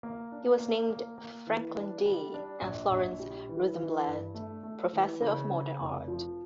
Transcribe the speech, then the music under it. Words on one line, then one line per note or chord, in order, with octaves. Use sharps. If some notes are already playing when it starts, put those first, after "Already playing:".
He was named Franklin D. and Florence Rosenblatt Professor of Modern Art.
A#3
D4
A#3
A#3
A#3
E3
D4
G3
D4
A#1
A#1
G3
E3
E3
G2
A3
A3
E3
C#3
C#3
F1
F3